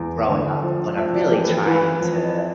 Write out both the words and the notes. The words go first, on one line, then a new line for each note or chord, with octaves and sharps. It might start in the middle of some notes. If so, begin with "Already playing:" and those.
growing up, but I'm really trying to
Already playing: E2
D3
F3
F2 E5
D5
E3 G4
B4
A4
E3 B4
F2